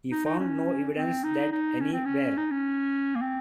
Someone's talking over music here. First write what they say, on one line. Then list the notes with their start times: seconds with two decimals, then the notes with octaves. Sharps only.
He found no evidence that any were.
0.12 D#4
0.25 D#4
0.40 C#4
0.96 C4
1.24 D#4
1.52 D#4
1.80 C#4
1.93 C4
2.06 C#4
2.37 D#4
2.51 C#4
3.16 A#3
3.22 C4